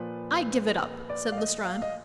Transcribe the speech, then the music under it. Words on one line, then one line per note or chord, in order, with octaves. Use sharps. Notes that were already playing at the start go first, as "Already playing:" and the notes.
"I give it up," said Lestrade.
Already playing: A#2 F3 B4
D5
F5
D#5
F5
D#5